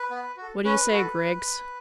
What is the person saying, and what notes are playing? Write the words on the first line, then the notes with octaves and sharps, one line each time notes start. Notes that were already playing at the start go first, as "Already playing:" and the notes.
What do you say, Griggs?
Already playing: B4
B3
F#4 A4
C#4 B4
F#4 A4